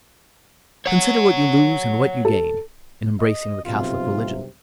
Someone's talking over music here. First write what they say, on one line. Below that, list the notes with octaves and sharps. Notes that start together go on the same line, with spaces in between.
Consider what you lose and what you gain in embracing the Catholic religion.
C#5 F#5
A4
D#5
B1 G2 C3 F4